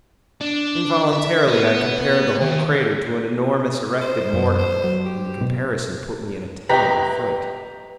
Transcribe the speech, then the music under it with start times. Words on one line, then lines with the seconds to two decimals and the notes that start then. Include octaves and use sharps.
Involuntarily I compared the whole crater to an enormous erected mortar, and the comparison put me in a terrible fright.
0.41 D4
1.13 E5
1.48 B3
2.41 D#2
4.02 C5
4.33 F#2
4.59 C5
4.84 F#3
5.06 G4
5.41 B2
6.69 G4 B4 D#5 G5 A#5 B6